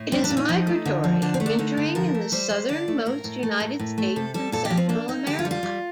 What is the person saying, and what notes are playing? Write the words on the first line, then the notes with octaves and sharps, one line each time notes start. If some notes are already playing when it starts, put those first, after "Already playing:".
It is migratory, wintering in the southernmost United States and Central America.
Already playing: A2
G3 C4
D4
A#2
D#4
F3
A3
D3
F3
D3 D4
C4
A3
D4
D3 D#4
D3
F3 A#4
A3
G3 C5
G3
D3 D5
A3
A2 A#4
A2
A3
A2
A2
A3
C3 A4
G3 A4
A#2 A4
G4
F3
C4
A#3 D4
A#3 D#4
D3 G4
F4
G3
F4
G3